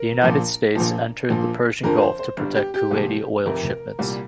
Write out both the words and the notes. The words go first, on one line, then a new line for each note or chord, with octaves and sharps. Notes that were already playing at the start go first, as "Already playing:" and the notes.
The United States entered the Persian gulf to protect Kuwaiti oil shipments.
Already playing: A#4
A#1 A#2 F3
A#1 A#2 F3
A#1 A#2 F3
F2 D3 F3 A#4
C5
C5
G1 G2 G3
G4
G4
C2 A#2 F3
F1 F2 C3 A#4
C2 A#2 G3